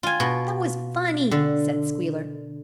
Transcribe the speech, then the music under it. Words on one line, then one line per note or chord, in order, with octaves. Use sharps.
"That was funny," said Squealer.
F4 G#5
B2
D3